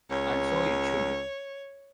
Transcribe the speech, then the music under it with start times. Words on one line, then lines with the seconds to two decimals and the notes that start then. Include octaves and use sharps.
And so it should.
0.11 C#2 C#5